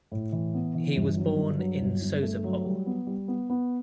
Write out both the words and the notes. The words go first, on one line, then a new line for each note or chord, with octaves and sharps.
He was born in Sozopol.
A2
E3
B3
E3
G1
F#3
G2
F#3
G1
G1
A3
F#3
G3
B3
G3
B3
B3